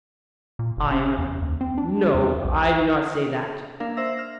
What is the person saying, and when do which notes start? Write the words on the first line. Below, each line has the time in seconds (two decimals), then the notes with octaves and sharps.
ION: No; I do not say that.
0.59 A#2
0.77 F#1
0.91 C#4
1.18 E2
1.42 D#2
1.61 C4
1.78 D4
2.14 E2
2.44 B1
3.80 A#3 D4 A#4 F5
3.97 C5 E5 E6 A#6
4.19 F6